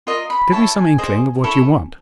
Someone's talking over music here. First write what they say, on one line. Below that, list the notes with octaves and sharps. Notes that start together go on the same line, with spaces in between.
Give me some inkling of what you want.
F4 A#4 D#5 C6
B5
E4 A4 C#5 A5
G#5
G#4 C5 D#5
E4 A4 C#5